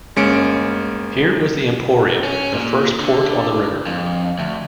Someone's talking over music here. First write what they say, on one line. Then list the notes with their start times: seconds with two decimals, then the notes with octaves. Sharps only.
Here was the "Emporium", the first port on the river.
0.16 G1 G#3 A#3 C#4 C#7 D7
2.24 C#4
2.53 A#2
3.00 D3
3.86 F2
4.39 D2